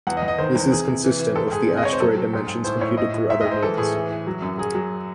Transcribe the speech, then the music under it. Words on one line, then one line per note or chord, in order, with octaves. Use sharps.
This is consistent with the asteroid dimensions computed through other means.
E2 F#5
D#5
E2
D#5
D#3 C5
E2
C3 G#4
C3
E3
E3
G#2 A4
G#2 G#4
C3
D#5
C3 C#5
C5
F#3 A4
F#3
G#2
G#2
A2 C5
A2 C#5
A2 D#5
A2
G#2 E5
D#5
G#2
C5
E3 A4
A2 G#4
E3
E3
F#3
F#2
F#3 G#4
F#3